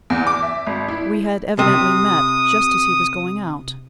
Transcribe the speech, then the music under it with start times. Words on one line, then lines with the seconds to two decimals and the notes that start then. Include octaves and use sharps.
We had evidently met just as he was going out.
0.10 E2
0.27 D6
0.43 E5
0.67 G#1
0.88 E4
1.59 C3 D#6